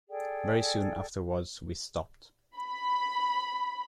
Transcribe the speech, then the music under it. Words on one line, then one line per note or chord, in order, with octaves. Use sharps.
Very soon afterwards we stopped.
G#4 A4 D5 G5
B5